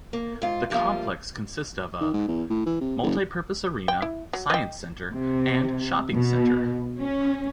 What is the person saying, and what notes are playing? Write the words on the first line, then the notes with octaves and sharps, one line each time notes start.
The complex consists of: a multipurpose arena, science centre and shopping centre.
A#3
G#2 F4
D2 F3 G3 A#3 F4
D#3
G#2
E2
A2
E3
C3
F#1
G5
E4
F#3
D#5 G5
C3
B2
C#4